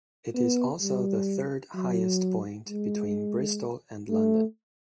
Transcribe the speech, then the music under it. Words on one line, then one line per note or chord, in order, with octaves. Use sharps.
It is also the third highest point between Bristol and London.
B3
G3
F#3
G#3
A3